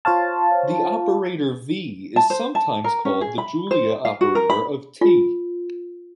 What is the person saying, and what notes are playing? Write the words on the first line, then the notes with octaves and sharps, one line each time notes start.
This operator "V" is sometimes called the Julia operator of "T".
F4 C5 C#5 F5 A5
A5
C5
A5
A#4
C#4
G#4
B5
C5
F5
F#4
A#4
B5
F4